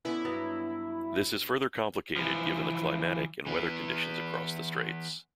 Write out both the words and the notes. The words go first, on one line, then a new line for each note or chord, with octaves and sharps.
This is further complicated given the climatic and weather conditions across the straits.
D3 B3 C#4 E4
G2 F#3 B3
E3 F3
E3 B3